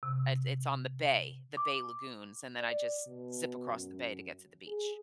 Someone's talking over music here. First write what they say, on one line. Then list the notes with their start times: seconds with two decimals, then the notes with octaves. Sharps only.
it it's on the bay, the bay lagoons, and then I just zip across the bay to get to the beach.
0.03 C3
1.57 D6
2.57 D5
3.07 B2
3.69 F#2
4.67 G#4